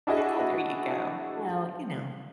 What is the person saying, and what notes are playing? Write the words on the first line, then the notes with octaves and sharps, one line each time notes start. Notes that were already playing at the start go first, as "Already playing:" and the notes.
Yeah. There you go. Well, you know,
D4 E4 F#4 G#4 D#5 E5